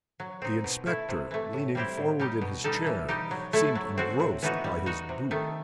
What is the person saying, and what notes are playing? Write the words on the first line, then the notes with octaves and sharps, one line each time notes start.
The inspector, leaning forward in his chair, seemed engrossed by his boots.
F#3
C4 D#4
B2
A3 E4
C3
E3 A3
A2
G3 C4 E4 G4
A2
G3 D#4 G4
B2
G3 D#4 A4
E3
G3 D#4 G4
F#3
A3 E4 A4
F#3
C4 F#4 A4
A2
E3 B3 D#4 F#4
G3
D#4 F#4
C3
D#3 A3